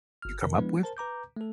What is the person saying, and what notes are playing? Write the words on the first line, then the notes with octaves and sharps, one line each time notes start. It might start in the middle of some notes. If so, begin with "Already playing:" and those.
you come up with?
G1 F6
F2 C3 D#3 A#4
F3 G#3 B3 D4 E4 B4
A#4 C5 A5
B4 A#5 D6 G6
A3 A4